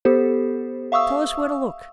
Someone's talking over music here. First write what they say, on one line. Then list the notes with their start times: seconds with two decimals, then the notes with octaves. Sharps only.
'Tell us where to look.'
0.05 B3 G4 A4 C5
0.92 E5 F5 C#6 D#6 E6